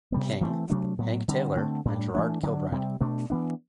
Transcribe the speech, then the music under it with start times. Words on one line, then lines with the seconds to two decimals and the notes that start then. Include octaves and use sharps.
King, Hank Taylor and Gerard Kilbride.
0.12 C3 G3 B3
0.41 E3 A3 C4
0.70 C3 F#3 A3 D4
0.98 A2 F#3 B3
1.28 D3 G3 C4
1.56 D3 A3 C4
1.85 A2 G3 D4
2.15 E3 A3 D4
2.43 D3 F#3 B3 D4
2.72 C3 G3 C4
3.01 B2 A3 D4
3.30 E3 B3 D4